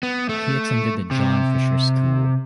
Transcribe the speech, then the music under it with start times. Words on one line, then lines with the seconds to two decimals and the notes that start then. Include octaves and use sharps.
He attended The John Fisher School.
0.03 B3
0.29 A3
1.11 C3